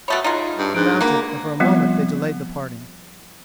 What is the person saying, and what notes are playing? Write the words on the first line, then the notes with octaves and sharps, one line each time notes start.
He mounted and for a moment they delayed the parting.
B2 A3 C#5 B5 D#6 A6
D#4 F4 G#4
G2
G#2 D4 F#6 D7
B2 A#3 B5
F3 G3 B3 C4 F4